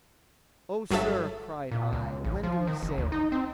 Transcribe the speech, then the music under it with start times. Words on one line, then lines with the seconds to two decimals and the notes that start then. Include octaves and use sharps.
"Oh, sir," cried I, "when do we sail?"
0.90 G1 F#3 G#4 A4 E5
1.71 A#2
1.93 C#2
2.24 A1
2.43 F3
2.67 D#3
2.83 F#1
2.98 D2
3.12 D#4
3.32 C4